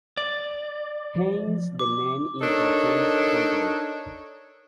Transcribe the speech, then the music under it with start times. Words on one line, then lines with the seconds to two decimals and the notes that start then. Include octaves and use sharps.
Hence the name importance sampling.
0.17 D5
1.15 F3
1.79 D6
2.41 D4 D#4 A4 A#4 C#5